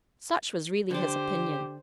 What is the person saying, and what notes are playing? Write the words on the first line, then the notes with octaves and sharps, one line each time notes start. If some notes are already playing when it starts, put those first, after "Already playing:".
Such was really his opinion.
D3 D4 G4 C5